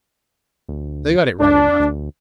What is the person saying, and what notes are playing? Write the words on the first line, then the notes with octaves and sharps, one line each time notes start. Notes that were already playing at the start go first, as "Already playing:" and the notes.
They got it right enough.
D2
C#2 D4
D2